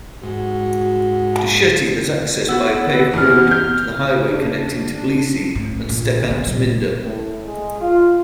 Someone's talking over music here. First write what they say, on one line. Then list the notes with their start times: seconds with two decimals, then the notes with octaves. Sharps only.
Dusheti has access by a paved road to the highway connecting Tbilisi and Stepantsminda.
0.23 G#2 F#4
2.48 B3 F#4 E6
2.93 B3 B4
3.13 E2 B3 F6
3.51 F6 G6
4.29 C#3 D4
5.55 A2
5.90 A#1
6.30 B3
6.47 A#2 G3
7.03 A2
7.45 G#3
7.81 F4